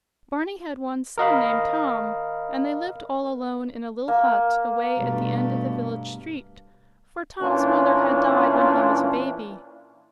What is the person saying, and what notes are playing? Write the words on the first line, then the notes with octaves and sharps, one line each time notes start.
Barney had one son, named Tom; and they lived all alone in a little hut away at the end of the village street, for Tom's mother had died when he was a baby.
A#4 D#5 F5 B5
A#3
G2 B2 A3
A#2 E3 C#4 D4